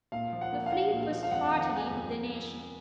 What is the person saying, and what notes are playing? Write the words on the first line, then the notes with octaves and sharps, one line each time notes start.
The fleet was heartily with the nation.
A#2 F5
F3
F#5
A#3
F5
D4 F#5
A#2
F5
F3
F5
F2 F#5
D#3 F5
F#5
G#3
G#5
F2